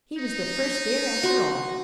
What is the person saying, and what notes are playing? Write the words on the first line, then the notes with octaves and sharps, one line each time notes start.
He was the first there after all.
D#4
F#4 C6